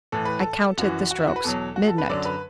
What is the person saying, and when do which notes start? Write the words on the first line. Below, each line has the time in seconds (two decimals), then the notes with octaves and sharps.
I counted the strokes--midnight!
0.12 A2 E3 A4
0.25 B4
0.40 A4
0.77 F#2 E3 F#4
1.11 F#4
1.18 E4
1.27 F#4
1.36 B4
1.44 E2 B2 F#3 A4
1.76 F#4
1.87 A4
1.98 B4
2.09 F#2 D3 F#3 D5
2.25 B4